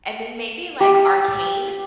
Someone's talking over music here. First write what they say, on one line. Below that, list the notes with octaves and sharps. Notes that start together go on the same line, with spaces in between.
And then maybe like Arcane?
G4